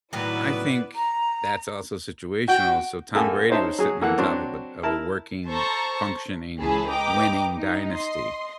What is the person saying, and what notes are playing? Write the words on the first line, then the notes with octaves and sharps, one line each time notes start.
I think, that's also situational, so Tom Brady was sitting on top of a of a working, functioning, winning dynasty.
A2 D#3 F#3 B3 E4 B4 D5
A#5
F#4 G5
F#2 A#3 A4 F5 G5 G#5
C#4 D#4 C5 E5 A5
F#3 G#4
E3 A#3 A4 F#5
F#3 C4 D4 F#4
E4 A#4 A5
A4 C5 A5 A#5 C#6
C#2 E3 C#4 G#4 A5 B5
B4 D#5 G5 A#5 D6
D#4
D#5 C6